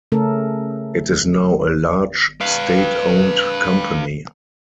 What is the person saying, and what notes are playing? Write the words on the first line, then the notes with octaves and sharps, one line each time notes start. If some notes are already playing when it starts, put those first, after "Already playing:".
It is now a large state-owned company.
C#3 A3 C#4 A4 A#4
B4 F5